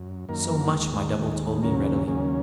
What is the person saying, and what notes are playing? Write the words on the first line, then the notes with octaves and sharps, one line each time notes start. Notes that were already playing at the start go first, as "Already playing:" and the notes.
So much my double told me readily.
Already playing: F#2
F#2 D#3 A#3 A#4
D#2 D#3 G#3
D#2 D#3 G#3
D#2 C#3 F#3 A#3 C#4 A#4
D#2 C#3 F#3 A#3 C#4 G#4